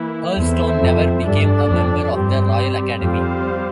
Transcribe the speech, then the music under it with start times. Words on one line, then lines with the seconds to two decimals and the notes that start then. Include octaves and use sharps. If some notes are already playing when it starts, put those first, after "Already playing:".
Hurlstone never became a member of the Royal Academy.
Already playing: E3 A#3 E4
0.37 E2 C4 E4 A4 C5 E5
0.81 F2
1.26 G2 D4 A4 D5
1.70 F2
2.13 G2 G3 C4 G4
3.01 F2 G3 C4 G4 C5 F5